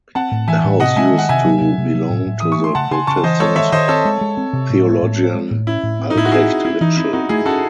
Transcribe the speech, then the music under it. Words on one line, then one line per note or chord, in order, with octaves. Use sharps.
The house used to belong to the Protestant theologian Albrecht Ritschl.
C4 F#5 A5
A2
E3 E5 G#5
A2
C3 D#5 F#5
G#3 E5 G#5
D#3
F#5
C3 E5 G#5
F#3
C3
C3
F#3
A2
A2
E3 D#6
C#6
A3
C6
C#3 F#5 A5
C#3 G#5 C6
C#3 A5 C#6
E3 C5 D#5
G#3 A4 C#5
D#3 C#5 E5
D#3 C5 D#5
C4 A4 C#5
G#3
G#3
C4
C3
A2
G#3
A2
C4
G#3
A2
C#4 E4
A2
C4
D#4
A2 E4
F#4
C4 E4 G#4
C4
C4 E4
E3 D#4
C4 E4
C4 D#4 F#4
A3 E4 G#4
C#4 F#4 A4